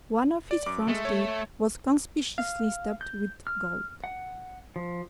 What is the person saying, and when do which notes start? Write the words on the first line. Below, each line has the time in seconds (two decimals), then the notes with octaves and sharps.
One of his front teeth was conspicuously stopped with gold.
0.51 D5
0.66 F#2 D6
0.88 G#3 A3
1.05 C#5
2.38 F5
3.01 G6
3.47 F6
4.04 F#5
4.76 F3